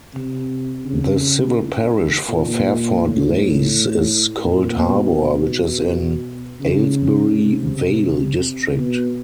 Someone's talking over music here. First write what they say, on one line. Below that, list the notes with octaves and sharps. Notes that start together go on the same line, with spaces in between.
The civil parish for Fairford Leys is Coldharbour which is in Aylesbury Vale district.
C3
C#3
A#2
A2
A#2
B2
C#3
C3
B2